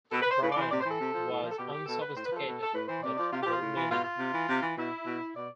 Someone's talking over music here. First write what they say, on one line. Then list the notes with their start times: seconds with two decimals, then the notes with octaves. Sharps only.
Brian was unsophisticated but well-meaning.
0.12 B2 A4
0.21 B4
0.31 C5
0.41 A2 B4
0.50 D5
0.55 E3 C5
0.70 C3 D5
0.80 C5
0.84 E3
0.89 A4
0.99 C3
1.13 F3
1.28 A2
1.43 F3
1.50 A4
1.57 B2 G4
1.72 G4
1.86 B2 A4
2.00 B4
2.15 A2 C5
2.25 B4
2.30 F3 A4
2.44 B2
2.62 A4
2.73 A2 B4
2.87 E3 C5
3.02 C3 D5
3.17 F3 D5
3.32 C3 F4
3.41 G4
3.46 F3 F4
3.60 A2
3.75 E3
3.90 B2 F4
4.04 F4
4.18 C3
4.33 E3
4.48 C3
4.62 E3
4.76 B2 E4
5.06 B2
5.35 B2 D5